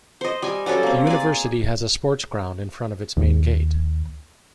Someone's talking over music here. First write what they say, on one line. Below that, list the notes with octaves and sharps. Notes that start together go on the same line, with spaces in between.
The university has a sports ground in front of its main gate.
C5 D#5
G3 G#5
F#3 G3 C#4 A4
A#3 C4
G#4 D5
D#2